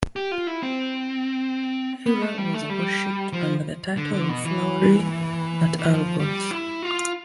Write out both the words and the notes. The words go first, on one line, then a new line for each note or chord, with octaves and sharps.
Hera was worshiped under the title of Flowery at Argos.
G4
F4
E4
C4
B3
A3
G3
A3
G3
F3
D3
D3
B2
E3
E3
F3
G3
E4
F4